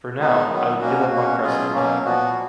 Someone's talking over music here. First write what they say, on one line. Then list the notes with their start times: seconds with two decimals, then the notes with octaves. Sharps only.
For now, I would give up on cress and thyme.
0.19 D#3 G#3 B3 D#4
0.50 D#3 F#3 B3
0.80 B2 A#3 C#4 F#4
1.12 B2 A#3 C#4 F#4
1.43 B2 F#3 C#4 F4 G#4
1.74 B2 F#3 A#3 C#4
2.05 A#2 F3 B3 F#4